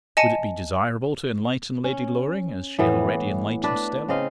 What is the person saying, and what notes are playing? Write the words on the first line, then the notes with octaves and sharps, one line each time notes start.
Would it be desirable to enlighten Lady Loring as she had already enlightened Stella?
D#5 G#5 A5 C#7 D#7
C#4
A2 E3 B3
D4 B4
C#3 C4 D#5 F5